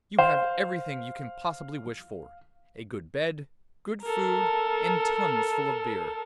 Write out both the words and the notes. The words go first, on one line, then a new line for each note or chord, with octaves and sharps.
'You have everything you can possibly wish for: a good bed, good food, and tuns full of beer.
C5 F5
A4 A#4